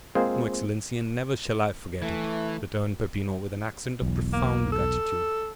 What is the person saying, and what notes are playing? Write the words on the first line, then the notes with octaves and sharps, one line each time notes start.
"No, excellency; and never shall I forget it," returned Peppino, with an accent of profound gratitude.
G#3 A#3 C4 F4 G#4 C5
E3 A3
B1 E2
A#3
A4